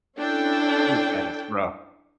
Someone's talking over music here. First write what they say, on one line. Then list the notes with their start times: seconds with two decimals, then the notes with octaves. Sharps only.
Ooh, that is rough.
0.17 C#4 D4 E4 A4 G5